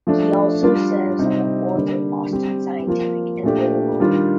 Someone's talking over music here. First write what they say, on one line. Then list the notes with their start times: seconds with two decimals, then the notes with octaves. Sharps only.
He also serves on the boards of Boston Scientific and Motorola.
0.07 F3 A3 D4
0.63 G3 D4 F4
1.19 C3 G3 C4 D#4
1.75 D3 G3 A#3 D4
2.31 G3 C4 G4
2.87 F3 A#3 F4
3.43 A#2 A3 D4 G4
4.00 D#3 G3 D4 F4